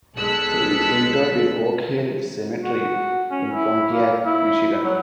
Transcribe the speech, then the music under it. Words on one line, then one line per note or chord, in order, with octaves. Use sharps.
He is interred in Oak Hill Cemetery, in Pontiac, Michigan.
B1 G#3 A4 E6 F#6 B6
F#4
C#4
E4
A#3
E4
F#3